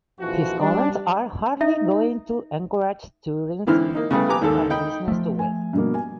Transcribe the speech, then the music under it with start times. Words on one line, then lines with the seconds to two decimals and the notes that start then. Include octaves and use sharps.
His comments are hardly going to encourage tourism and business to Wales.
0.20 A#1 F2 E3 F3 F#4
0.60 G3 D4
1.61 D#4 E5
3.67 G#2 D3 E3 C4 E4 F6
3.95 A#3 D#4
4.10 C#3 G3 A3 B3
4.29 G4 B4 G#5 A#5 D6
4.41 G#1 D#2 A4
4.70 D#4 G5 B5
5.08 F3 A3
5.39 G#5
5.73 G2 B2 A#3
5.94 G#5